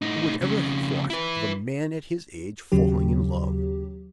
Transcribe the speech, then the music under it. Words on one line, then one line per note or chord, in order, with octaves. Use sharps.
Who would ever have thought of a man at his age falling in love?
A2 D#4
F2 C#3
E4 B4
D#2 C#3 F#3 G4